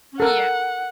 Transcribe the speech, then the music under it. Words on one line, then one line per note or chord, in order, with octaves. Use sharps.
Mm. Yeah,
A4 A#4 F#5